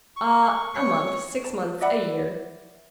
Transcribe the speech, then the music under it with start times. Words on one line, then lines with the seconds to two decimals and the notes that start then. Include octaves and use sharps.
"Ah, a month--six months--a year."
0.16 C#6
0.74 C#5
1.44 A5
1.81 D5 E5 F#5 B5